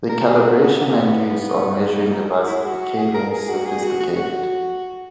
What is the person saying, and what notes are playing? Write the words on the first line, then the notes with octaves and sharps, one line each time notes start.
The calibration and use of measuring devices became more sophisticated.
A#4
G#4
F#4
B3
A#3
B3
B3
D#4
A#4
G#4
F#4
E4
G#4
F#4
G#4
A#4
G#4
F#4
G#4
F#4
F#4
F#4